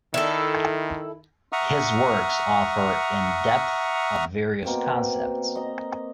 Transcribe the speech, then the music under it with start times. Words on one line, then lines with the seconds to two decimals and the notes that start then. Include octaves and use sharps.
His works offer in-depth of various concepts.
0.14 D#3 E4 A4
1.52 E5 F#5 A#5 C#6 D#6 F6
4.64 B2 A#3 C4 D6
5.56 D#5 A#5